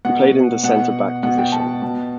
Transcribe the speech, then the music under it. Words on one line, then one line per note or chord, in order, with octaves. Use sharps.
He played in the centre back position.
B2 F#5
B2 F#5
B2 F#5
G5
A5
B2